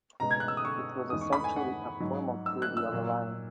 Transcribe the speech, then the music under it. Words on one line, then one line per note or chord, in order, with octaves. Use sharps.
It was essentially a formal treaty of alliance.
C#2 B2 G#3 A#5
G#6
F#6
E6
D#6
C#6
E2 D#3 G#3 D#6
C#6
B5
G#5
F#5
G#2 F#3
E6
F#6
E6
A#2 F#3